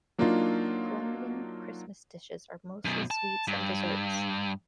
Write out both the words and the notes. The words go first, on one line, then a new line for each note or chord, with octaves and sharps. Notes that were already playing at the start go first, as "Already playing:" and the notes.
Colombian Christmas dishes are mostly sweets and desserts.
F#3 A#3 D4 D#4 F4
F#2 B2
A5
G2